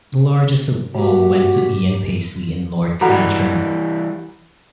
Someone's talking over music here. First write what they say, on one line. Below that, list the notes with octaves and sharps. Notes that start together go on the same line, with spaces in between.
The largest of all went to Ian Paisley in North Antrim.
A#2 F#4 G4
E3 G3 F#4 A4 F#5 A#5 B5